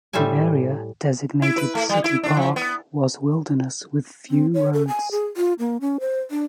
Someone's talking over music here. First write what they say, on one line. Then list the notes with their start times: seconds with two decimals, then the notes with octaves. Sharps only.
The area, designated "City Park", was wilderness with few roads.
0.13 A2 G3 C5 E5 G#5
1.42 E4
1.58 B4
1.75 A3
1.89 G3
2.04 E4
2.23 D4
2.37 F3
2.56 B3
4.30 C4
4.54 C#5
4.73 A4
4.88 G#5
5.11 G#4
5.37 F4
5.59 A#3
5.81 C#4
6.00 C5
6.31 D4